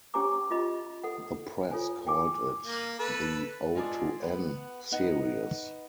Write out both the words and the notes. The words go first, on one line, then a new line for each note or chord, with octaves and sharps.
The press called it the O-N Series.
C#4 G4 C#5 G#5 A#5 D6
F4 G4 D#5 B5
A4 F#5
F4 A4 C#5 G#5
G5 G#5 D6
A#3
A4 B4
G#3 F4 G#4 A4 D5
B3 F#5
B3 D#4 F#5